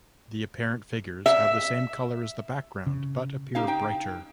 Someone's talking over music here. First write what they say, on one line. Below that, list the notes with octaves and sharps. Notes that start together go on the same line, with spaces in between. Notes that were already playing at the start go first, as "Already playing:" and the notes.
The apparent figures have the same color as the background, but appear brighter.
E5
C#3
D#4 G4 F5
D#4 G5